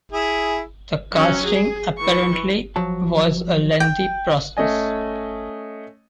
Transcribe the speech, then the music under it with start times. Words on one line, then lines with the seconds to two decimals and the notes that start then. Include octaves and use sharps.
The casting apparently was a lengthy process.
0.12 E4 G#4
1.12 F#3 C#4
1.45 G#4
1.98 E3 C#6
2.76 F3 F#3 A5
3.80 G5
4.57 A3 C#4 D#5 G#5